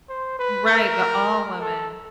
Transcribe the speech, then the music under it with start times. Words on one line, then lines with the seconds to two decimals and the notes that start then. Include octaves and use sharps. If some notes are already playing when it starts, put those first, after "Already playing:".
Right. But all women.
0.09 C5
0.39 B4
0.69 A#4
1.61 A4